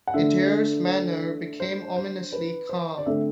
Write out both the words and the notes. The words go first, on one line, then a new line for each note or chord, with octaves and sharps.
Adair's manner became ominously calm.
F#5
D3 A3 D4 E5
C5
C5
B4
C5
D5
D3 A3 C4 E5